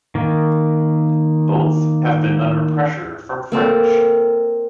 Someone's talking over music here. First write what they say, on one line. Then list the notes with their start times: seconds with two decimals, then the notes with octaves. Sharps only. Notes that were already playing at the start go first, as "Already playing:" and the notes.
Both have been under pressure from French.
0.15 D#3 A#3
3.52 A#3 C4 A4